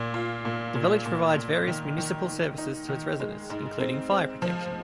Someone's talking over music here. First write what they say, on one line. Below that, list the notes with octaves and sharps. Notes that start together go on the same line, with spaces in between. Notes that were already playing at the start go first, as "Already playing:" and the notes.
The village provides various municipal services to its residents including fire protection.
Already playing: A#2
F4
A#2
A#2
A#2
A#2
D#3
D#3
D#3
D#4
D#3
G#3
G#2
C4
C4
F3